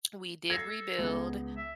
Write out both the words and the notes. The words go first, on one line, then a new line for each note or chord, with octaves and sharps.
we did rebuild
A4 G#6 A#6 C7
C#2 B3
E5